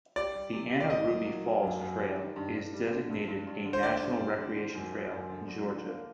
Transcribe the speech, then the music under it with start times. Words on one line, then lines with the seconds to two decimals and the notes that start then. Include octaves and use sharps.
The Anna Ruby Falls Trail is designated a National Recreation Trail in Georgia.
0.16 G4 D5
0.35 G3
0.53 C3
0.71 G4
0.80 D5
0.90 A#3 D#5
1.08 F#3
1.26 F#3
1.45 A#3
1.63 F#2
1.81 F#2
1.99 G3
2.18 D#3
2.36 G2
2.55 G2
2.73 G3
2.91 D3
3.09 G2
3.28 G2
3.47 G2
3.65 D3
3.73 C5
3.83 D3 D5
4.01 G2
4.20 G3
4.38 D3
4.56 D#3
4.74 F#2
4.93 F#2
5.11 F#2
5.29 D3
5.48 F#3
5.66 D3
5.85 A#3